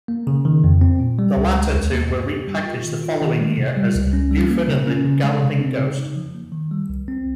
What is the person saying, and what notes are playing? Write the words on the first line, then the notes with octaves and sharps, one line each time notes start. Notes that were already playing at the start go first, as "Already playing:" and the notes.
The latter two were repackaged the following year as "Buford and the Galloping Ghost".
A#3
C#3
D#3
F2
C4
A#2
G3
C#2
G#3
D#2
A#3
G2
G4
G3
F4
D#3
F4
D#3
G#3
C3
G3
C#2
C#4
G3
A#3
C#3
C#4
C#3
G#3
C3
C4
C#3
D#4
F3
A#3
D#3
G3
C2
C4